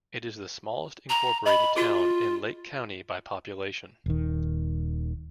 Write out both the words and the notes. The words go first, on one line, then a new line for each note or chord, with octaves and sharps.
It is the smallest incorporated town in Lake County by population.
A#5
D#5 B5
F4 F#4 G#4
D#1 D#3